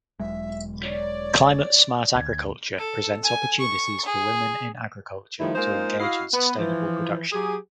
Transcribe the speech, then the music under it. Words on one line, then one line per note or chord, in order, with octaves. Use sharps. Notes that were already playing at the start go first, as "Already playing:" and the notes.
Climate Smart Agriculture presents opportunities for women in agriculture to engage in sustainable production.
E1 F#3 G#3 E5
C#5 D5
D2 G#6
A4
G#5
C#6
G#4
D#3 F3 G3 A3 E4
G#3 A#3 D#4 F4 C5
E4 F#4 D#5 F5
B3
E3 F3
F#3 G4 G#4